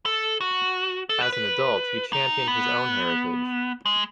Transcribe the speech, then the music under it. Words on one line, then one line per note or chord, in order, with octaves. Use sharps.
As an adult, he championed his own heritage.
A4
F#4
A4
B4
B4
D#4
B3
G#3